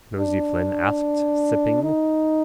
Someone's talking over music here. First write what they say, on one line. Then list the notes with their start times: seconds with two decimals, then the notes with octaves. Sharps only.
Nosey Flynn asked, sipping.
0.19 D4
1.83 D#4